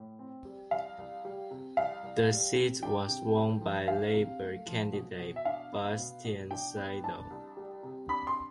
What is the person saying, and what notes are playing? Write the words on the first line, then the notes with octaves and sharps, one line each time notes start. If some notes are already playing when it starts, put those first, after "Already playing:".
The seat was won by Labor candidate Bastian Seidel.
Already playing: A2
C4
G3
C2 F5
C2
G3
C3
C2 F5
C2
G3
C3
D4 G5
C3
A3
F3
D4 F5
C3
A3
F3
B2
B2
E5
D4 F5
B3
B2
B2
D4 G5
B3
D4 A5
C2
G3
C3
D4 B5
C6